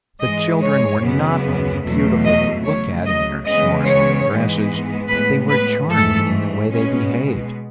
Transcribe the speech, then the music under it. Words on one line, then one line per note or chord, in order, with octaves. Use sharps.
The children were not only beautiful to look at in their smart little dresses, but they were charming in the way they behaved.
G#2 E3 G#3 D#5
C#5
F#2 C#3 G#3 B3
E2 B2 F#3 A3
D#5
C#3 F#3 A3 C#5
D#5
C#3 E3 G#3 B3 D#5
C#5
G#2 E3 G#3 B3
A2 G#3 B3 B4
B4
G#2 E3 A3 A4
B2 G#3 B3 C#4